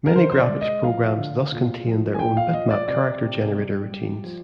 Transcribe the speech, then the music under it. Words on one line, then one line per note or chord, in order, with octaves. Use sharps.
Many graphics programs thus contained their own bitmap character generator routines.
A#4
D3 C5
C5
D5
G#3
D#5
F3 F5
D3
A#2
F3
G#5
A#2 G5
F5
F3 D#5
D5
C3 D5
C3
G3
G3
F3